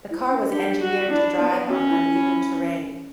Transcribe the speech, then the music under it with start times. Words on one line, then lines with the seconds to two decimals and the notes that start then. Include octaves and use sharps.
The car was engineered to drive on uneven terrain.
0.10 E4
0.31 C#4
0.50 D4 G4
0.80 F#4
1.10 D4 E4
1.40 B3
1.69 C#4 F#4
1.90 E4
2.10 E4